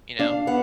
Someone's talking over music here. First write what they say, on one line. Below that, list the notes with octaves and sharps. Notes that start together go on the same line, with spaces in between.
you know?
D4 F5
B3 F#5